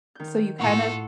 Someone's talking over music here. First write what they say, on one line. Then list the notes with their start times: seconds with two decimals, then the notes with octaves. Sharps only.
So you kind of
0.15 D#3 G6
0.59 A2 E4 F4 A4 F#5 C#6